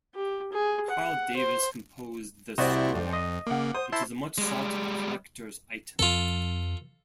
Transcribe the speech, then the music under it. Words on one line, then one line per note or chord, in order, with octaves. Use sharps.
Carl Davis composed the score, which is a much-sought collector's item.
G4
G#4
F#5
C5
C2 C3 E4 F#4 C5 D5 D#5
F2
D#5
C#3 A#3 F#5 D6
C5 D#6
E4 A5 C6
G3 G#3
F2 F3 C4 F4 A4